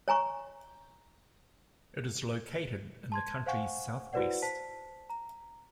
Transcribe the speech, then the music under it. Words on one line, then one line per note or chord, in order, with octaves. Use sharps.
It is located in the country's southwest.
C#5 G#5 A#5 C#6
A5 C6 G#6
C5 F5 F#5 G#5 C#6
E4 F#4 B4 C5 D5 F#5
C5 A5 B6
A#5